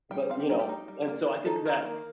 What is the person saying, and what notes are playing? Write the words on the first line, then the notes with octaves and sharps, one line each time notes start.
"but, you know" And, so, I think that
G3 G5
C4 F5
G4
G3 D#4
G4
D#4
G3
A#3
D#3
D#4 A4
D#3 A#4
A#3